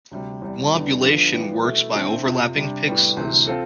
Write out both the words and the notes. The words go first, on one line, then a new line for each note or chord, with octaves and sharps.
Wobulation works by overlapping pixels.
D2 C3 G3
E2 C3 G3
E2 D3 G3 B3
F2 D3 F3 B3
E3 G3 B3 F4
B2 A3 E4
D3 A3 C4 E4 A4
F2 C3 F3
C3 G3 D4
A2 G3 B3
D2 C3 E3
C4 F4 A4